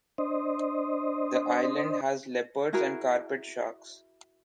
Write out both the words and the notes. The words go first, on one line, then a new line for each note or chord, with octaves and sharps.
The island has leopard and carpet sharks.
D4 C5 D#5
E4 F#4 G#4 A#4